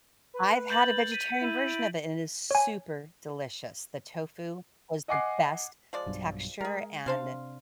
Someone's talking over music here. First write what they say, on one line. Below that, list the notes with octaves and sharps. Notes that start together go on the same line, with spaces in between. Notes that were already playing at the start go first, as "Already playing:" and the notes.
I've had a vegetarian version of it and it is super delicious. The tofu was the best texture and,
B4
G6 A6 F#7
B6 D#7
E4
D7
C#5 G#5
D#5 F#5 G#5 D6 F#6 C7
F3 G#3 D5
B1 G2 F#3
G#3 G#4 A#4
C3 D4 C5 F5